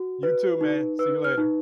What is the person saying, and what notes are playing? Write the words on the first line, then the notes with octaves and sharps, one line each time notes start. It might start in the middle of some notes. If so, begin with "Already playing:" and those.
You too, man. See you later.
Already playing: F#4
B4
D#4
B4 E6
F6
D#4